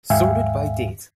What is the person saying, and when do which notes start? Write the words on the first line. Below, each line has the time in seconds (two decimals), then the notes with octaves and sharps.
Sorted by date.
0.10 D#2 G#2 E5 F5 G5 G#5